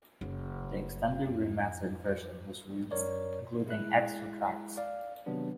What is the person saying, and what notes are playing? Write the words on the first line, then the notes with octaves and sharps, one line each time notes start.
An extended re-mastered version was released, including extra tracks.
F#1
F2
F#2 A#4 C#5 D5
G#3 E4 F#6
D5 F5
C3 D#3 F#3 B3 D4